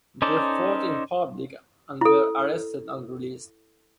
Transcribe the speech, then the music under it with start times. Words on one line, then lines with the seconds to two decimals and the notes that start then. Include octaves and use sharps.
They fought in public and were arrested and released.
0.22 C#4 D#4 A4 C5 D5
2.01 E4 A4